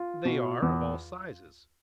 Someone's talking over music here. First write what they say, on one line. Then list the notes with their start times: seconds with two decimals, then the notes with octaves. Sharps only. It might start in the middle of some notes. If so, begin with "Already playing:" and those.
They are of all sizes.
Already playing: F4
0.25 B2
0.62 E2